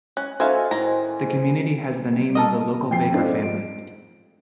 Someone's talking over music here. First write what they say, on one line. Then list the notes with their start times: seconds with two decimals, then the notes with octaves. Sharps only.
The community has the name of the local Baker family.
0.17 C#4 F#6
0.40 C#4 D#4 F#4 A4 C5 E5 F5 G#5
0.71 A2 D#3 A#5
2.17 G3
2.35 A4 A#4 D#5
2.91 F2 G5 C7
3.14 C4 D4 D#4 F4 A4
3.42 D7